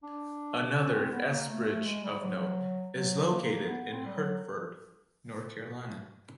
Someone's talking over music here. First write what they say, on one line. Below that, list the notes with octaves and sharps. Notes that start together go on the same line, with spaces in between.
Another S bridge of note is located in Hertford, North Carolina.
D4
C#4
C4
B3
A#3
A3
A3
G#3
G3
F#3
F#3
A#3
B3
C4
G3
F#3